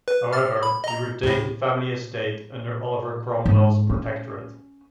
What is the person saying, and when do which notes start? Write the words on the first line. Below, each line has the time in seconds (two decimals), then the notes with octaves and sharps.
However he retained the family estate under Oliver Cromwell's protectorate.
0.08 B4
0.33 F6 A6
0.63 B5
0.84 D#5 A#5
1.23 D2 A2
3.46 G#2
3.90 C#4